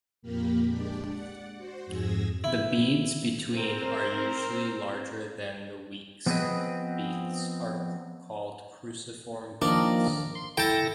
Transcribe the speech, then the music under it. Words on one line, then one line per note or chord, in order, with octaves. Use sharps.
The beads between are usually larger than the "weeks" beads are called "cruciform" beads.
F2 A#2 A#3 G4 A#4 B5
G#3 D4 G4 D5
D5 F#5
F#4 C5
F2 G#2 G#4 E6 G#6 A#6
E4
C4 A#4 C5
F3 B3 C4 G#4 B4 D#5
D#3 F3 A#3 D4
C6
E4 A4 G5 A5 A#6